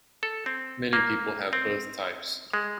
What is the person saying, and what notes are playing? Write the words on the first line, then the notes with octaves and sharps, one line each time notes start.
Many people have both types.
A4
C4
A#3
C4
G#3